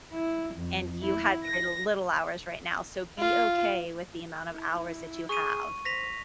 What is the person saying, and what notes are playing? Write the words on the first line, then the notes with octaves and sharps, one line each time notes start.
and you had kinda little hours right now, so be okay with the amount of hours that you have.
E4
F2
E4
A#6
F4
E4
G#4 C#6 D#7
C5 A#6 B6 F7